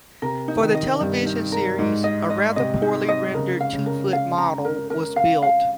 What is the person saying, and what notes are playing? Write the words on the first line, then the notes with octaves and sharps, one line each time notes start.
For the television series a rather poorly rendered two-foot model was built.
C3 A#4
D#4
D#3
D#5
G2 D#4
D#4
A#4
G#2 D#4
D#5
D#5
C3 D#5
D#4
D#5
C#3 A#4
F5
C#3
A#4
F5
A#5
A#4
A#4
F5
F5